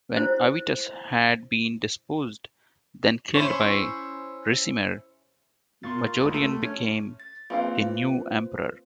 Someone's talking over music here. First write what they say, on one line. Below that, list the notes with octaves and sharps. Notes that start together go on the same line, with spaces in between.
When Avitus had been deposed-then killed-by Ricimer, Majorian became the new emperor.
E4 C5
C#4 E4 C5 C#6
A#2 C6 C#6 A6
C#2 B5
A3
C#4
A6
A#3 C4 F4 B4 C5 F5